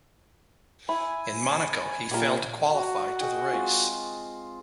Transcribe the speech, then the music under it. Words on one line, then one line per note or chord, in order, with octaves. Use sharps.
In Monaco he failed to qualify to the race.
E4 G#5 B5
A#2 G4 A#4
F#4
G#4 D#5 G5
G#3 C4 F4